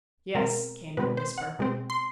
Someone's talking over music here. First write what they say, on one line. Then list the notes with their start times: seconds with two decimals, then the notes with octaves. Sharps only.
"Yes," came in a whisper.
0.35 B2 G#3 C4 A#4
0.97 B2 G#3 C4 B4
1.17 C5
1.38 F#5
1.59 B2 G#3 C4
1.90 C6